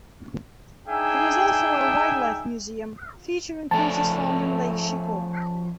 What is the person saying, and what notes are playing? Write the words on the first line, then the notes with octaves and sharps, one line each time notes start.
There is also a wildlife museum, featuring creatures found in Lake Chicot.
D4 D#4 G#4 E5 G5 G#5
F3 A3 C#4 D5 A5